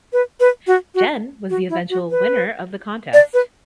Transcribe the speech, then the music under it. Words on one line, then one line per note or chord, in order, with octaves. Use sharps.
Jen was the eventual winner of thecontest.
B4
B4
F#4
F#4
F#4
E4
F#4
B4
D5
B4